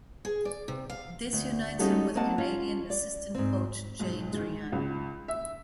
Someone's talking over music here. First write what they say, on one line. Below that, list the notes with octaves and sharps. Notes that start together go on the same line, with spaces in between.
This unites him with Canadian assistant coach Jay Triano.
G#4
D5
C3
F5
D2
G3 C#4 D#4 F#4 G#4 A4
A#3 C4 A#4 D#5 F#5 A5
C#4 F4
D5
G#2 C4
B1 G#2
D#3 G#3
C#2
E5